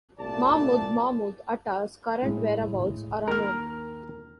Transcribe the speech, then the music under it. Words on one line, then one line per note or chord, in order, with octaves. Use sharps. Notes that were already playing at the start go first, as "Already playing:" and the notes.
Mahmoud Mahmoud Atta's current whereabouts are unknown.
C2 A#2 A3 D5 A5
A2 G#3 E4
D#2 A#4 F6